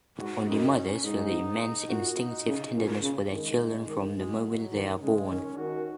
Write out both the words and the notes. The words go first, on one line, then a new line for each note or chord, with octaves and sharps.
Only mothers feel the immense, instinctive tenderness for their children from the moment they are born.
G#2 F#4
F#2 D#4
C#4
G#2 D#4
A#2 F#4
D#4
C#3
A#2 C#4
C#3
D#3 G#3
D#3
F#3 G#3
F#3
D#3
C#3 G#3
D#3 C#4
D#3 F#4